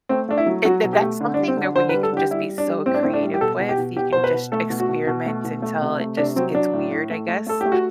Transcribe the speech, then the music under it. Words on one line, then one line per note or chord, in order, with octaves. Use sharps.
it th that's something that where you can just be so creative with. You can just experiment until it just gets weird, I guess.
A3 C4
A3 D4
E4
F#3
F#3 F#4
B2
G4
A3
D3
D4
G3
C4
D3 D4
D3 C5
B4
G3
A4
D3 G4
G3 E4
G3
D4
G3
A2 C4
D4
A2 C4
D4
G3
G4
B2 A4
B2
G4
B2
B2 G4
B2 C5
B4
B2
A3 A4
B2
F#4
B2
B2
A3
B2
A3
C3
A3
C3 D4
F#3 C4
F#3 D4
A2
A2
A3
A3
A3 A4
A3 G4
F#4